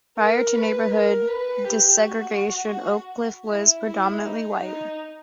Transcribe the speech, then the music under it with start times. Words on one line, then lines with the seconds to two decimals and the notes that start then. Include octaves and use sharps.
Prior to neighborhood desegregation, Oak Cliff was predominantly white.
0.18 A#4
0.54 B4
0.91 A#4
1.27 B4
1.65 G4
2.01 F#4
3.49 E4
3.85 E4
4.23 D#4
4.59 D#4